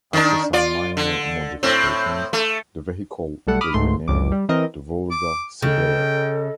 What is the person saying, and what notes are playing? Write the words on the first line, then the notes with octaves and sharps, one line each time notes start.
After some minor modifications the vehicle was renamed the Volga Siber.
D#3 D4
F4 D5
D3
A2 C4
A3
B1 G3 A3 A4 F#5
B5 D6 D#6 F6
C#2 G#2 A3 C6
G1 C#2 D6
G3
E3 C4 A#4 D#5
D6
C#3 A4 D#5 G5